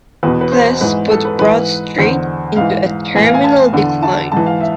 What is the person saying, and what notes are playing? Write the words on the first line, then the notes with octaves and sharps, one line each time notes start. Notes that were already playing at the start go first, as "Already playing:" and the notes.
This put Broad Street into a terminal decline.
E2 B2 B4
B4
C5
G#2 E3 B4
A4
B4
G#2 E3 B4
E2 D3 C5
G#2 E3 F5
A2 E3 G#5
F5
G#5
A5
E2 D3
A5
G#2 E3 A5
F5
E5